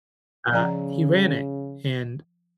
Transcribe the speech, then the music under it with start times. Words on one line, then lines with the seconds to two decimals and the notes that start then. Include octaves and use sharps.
uh, he ran it, and
0.51 C#3 F3 D5 A#5